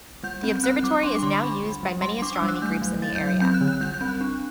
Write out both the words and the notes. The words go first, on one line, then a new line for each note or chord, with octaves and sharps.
The observatory is now used by many astronomy groups in the area.
G3 G6
C4 G6
C4 F#6
G3 D6
D4 C6
D6
D3 C6
D4 B5
G3
G3
G3 C6
D4 D6
E6
G3
F#6
A3 G6
F#3
F#3 A6
G6
F#3
G6
C4 G6
F#6
D3
F#6
G3 G6
G6
C4
F#6
D4